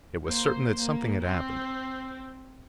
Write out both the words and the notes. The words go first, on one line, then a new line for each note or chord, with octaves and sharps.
It was certain that something had happened.
A#3 C5
A#3
C4